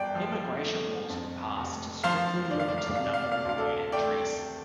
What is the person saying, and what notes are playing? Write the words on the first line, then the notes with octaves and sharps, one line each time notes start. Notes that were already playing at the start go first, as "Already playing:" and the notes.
Immigration laws were passed to strictly limit the number of new entries.
Already playing: G1 D5 G5
F3
A3
F2
F1
F3 C5 F5
F1 D5
F5
D5
F5
D5
C3 F5
D5
F5
D5
F5
D5
D2 F5
A4 D5
A3 D5 G5